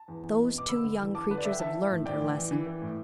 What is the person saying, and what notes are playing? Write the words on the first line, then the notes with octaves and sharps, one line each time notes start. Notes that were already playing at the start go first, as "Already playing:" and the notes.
Those two young creatures have learned their lesson.
Already playing: A5
E2
E2
B2
B2 D6
D3 B5 E6
D3
E2
E2 A5 D6
D3 B4
D5
D3 E5
G5
E3 E5 A5
E3
A2
A2 D5 G5
E3
E3
E3
E3
A2